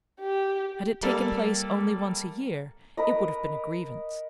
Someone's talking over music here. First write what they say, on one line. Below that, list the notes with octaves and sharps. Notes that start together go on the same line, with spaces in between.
Had it taken place only once a year, it would have been a grievance.
G4
G3 A#3 A4
A#4 B4 D#5